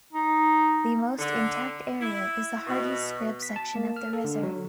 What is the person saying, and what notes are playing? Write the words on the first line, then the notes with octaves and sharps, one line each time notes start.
The most intact area is the Hardy's Scrub section of the reserve.
D#4
D3
E4
B2
B6
A5
A#3
F6
A4
D3
F#3